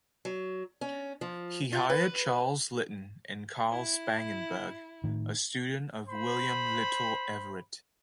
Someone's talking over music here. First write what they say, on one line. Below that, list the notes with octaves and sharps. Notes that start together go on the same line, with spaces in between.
He hired Charles Litton and Karl Spangenberg, a student of William Littell Everitt.
F#3
C#4
F3
F4
B4
E4
A2 D#3
C5 B5